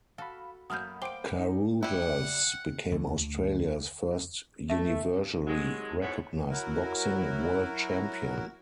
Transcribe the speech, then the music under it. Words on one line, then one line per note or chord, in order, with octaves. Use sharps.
Carruthers became Australia's first universally recognised boxing World Champion.
F#4 A4 F5 B5
F#2 A3 A#3 F#5 B5 D#6 F6 G6
C5 F5 G5 D6 D7 G7
D#4
G3 E4 F#5
D2 D3 A3
A3 E5
C3 D#3 F#3 G#3
F2 G#2 B2 B3 E4 C#5
F#3 E4 F#4 A#4